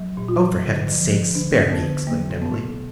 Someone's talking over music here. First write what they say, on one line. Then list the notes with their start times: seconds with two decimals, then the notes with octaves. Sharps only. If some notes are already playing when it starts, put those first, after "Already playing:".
'Oh, for Heaven's sake, spare me!' exclaimed Emily.
Already playing: F#3
0.17 A#2
0.28 F4
0.40 F#3
0.65 D3
0.88 F3
1.12 F3
1.35 D3 D4
1.59 D3
1.72 B3
1.83 D3
2.07 F#3 A#3
2.30 B2
2.42 B3
2.54 B2